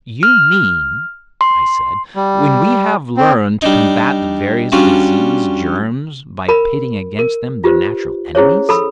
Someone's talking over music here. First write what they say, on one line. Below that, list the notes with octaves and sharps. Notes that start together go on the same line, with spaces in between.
"You mean," I said, "when we have learned to combat the various disease germs by pitting against them their natural enemies."
F6
C6
G3
C4
G3 D4 D#4
G3 C#4 D4 F4 F#4
A#4 B5
A#4
F4 G4 B4 C5
C#4 E4 G#4 C5 C#5
A4 B5 E6